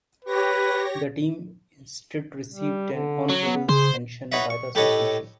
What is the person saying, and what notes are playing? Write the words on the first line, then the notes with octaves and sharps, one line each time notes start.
The team instead received an honorable mention by the association.
G4 B4 C#5 A#6
G3
D3
F#3
B3
C#3 G#4 C5
D#4 F#4 B4 C#5 D#5 E5
C#6
A2 G4 A4 B4 C#5 D#5